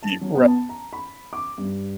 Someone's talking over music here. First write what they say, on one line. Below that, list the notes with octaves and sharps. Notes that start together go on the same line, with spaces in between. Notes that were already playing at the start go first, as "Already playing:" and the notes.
Ye right.
A5
F#3
B3
A5
A#5
B5
D6
G2